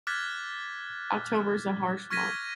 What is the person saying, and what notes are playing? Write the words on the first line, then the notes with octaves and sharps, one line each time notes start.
Octobers a harsh month.
D6 F6 F#6 G#6 A6 B6
C#6 F6 G#6 A#6 B6 D#7